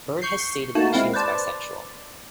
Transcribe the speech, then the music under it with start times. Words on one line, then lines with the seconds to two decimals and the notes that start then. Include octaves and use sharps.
Byrd has stated that she is bisexual.
0.22 C#6 G6 C7
0.75 A3 A#3 D#4 F#4 A5
0.93 G#3 C4 E4 F5
1.14 B4 C5 D5 A5